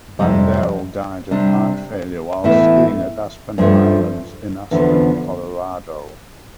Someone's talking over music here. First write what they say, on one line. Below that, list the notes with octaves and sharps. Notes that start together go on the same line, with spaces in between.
Bandel died of heart failure while skiing at Aspen Highlands in Aspen, Colorado.
F2 C3 G3
C3 G3 D4
A2 E3 B3 E4
G2 F3 A3
E2 D3 F3 B3